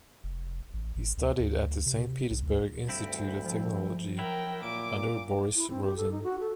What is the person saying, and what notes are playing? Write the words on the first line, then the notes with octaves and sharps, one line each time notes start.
He studied at the Saint Petersburg Institute of Technology, under Boris Rosing.
F1
A1
G#1
D2
D2
C3
B1
D2
D2 G2 C4 E4 B6
F3
F#3 E4 A#4 G5
A#2 D6 D7
E4
C4
G4
A4
D#4
F#4
A4